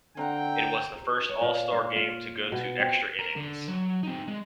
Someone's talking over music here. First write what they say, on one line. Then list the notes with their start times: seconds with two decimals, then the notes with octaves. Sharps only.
It was the first All-Star game to go to extra innings.
0.17 D3 A#3 C4 F#5 G5 A#5
1.29 C#5
1.41 A#2
1.73 F5
1.96 F4
2.52 B2
2.80 C4
3.19 A#4 A#5
3.36 D3
3.68 F#3
4.03 C4 D#4
4.28 G#3